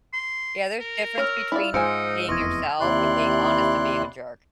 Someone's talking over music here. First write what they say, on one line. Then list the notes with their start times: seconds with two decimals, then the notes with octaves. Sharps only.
Yeah. There's difference between being yourself, and being honest, and being a jerk.
0.13 C6
0.80 A#4
1.18 C#5 E6 F6 F7
1.52 E4 F4 D5
1.74 G#2 D#4 F4 C5 G#5 E6 C#7 D7
2.29 F1 E2 E3 D#5 C6 C#6 G#6
2.80 D#2 C3 E4 D5 C6 F#6